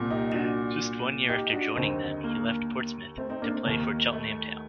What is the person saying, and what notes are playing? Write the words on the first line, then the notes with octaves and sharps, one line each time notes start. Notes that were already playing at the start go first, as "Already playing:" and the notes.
Just one year after joining them, he left Portsmouth to play for Cheltenham Town.
Already playing: C2 A#2
D#4 G4
D4 F#4
D#4 G4
D4 F#4
D#2 D3 C4 D#4
A#3
A3 C4
C4 D#4
A#3 D4
A3 C4
D#2 D#3 A#3
A3